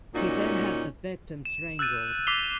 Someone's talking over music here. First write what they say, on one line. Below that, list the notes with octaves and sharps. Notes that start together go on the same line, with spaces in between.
He then had the victim strangled.
A#2 C#4 D#4 F#4
E7
E6 F#6 G6 A6 D#7 E7
D6 E6 B6 C7 F7 G7